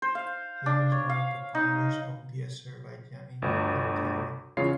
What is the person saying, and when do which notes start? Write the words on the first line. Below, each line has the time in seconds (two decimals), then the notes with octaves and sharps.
He was one of the founders of the Azerbaijani artillery.
0.02 C5
0.15 F5
0.66 D4
0.92 C#5
1.10 F5
1.55 D#4
3.42 G1 D2
4.57 E2 C#3 G#3 F4 C#5 C7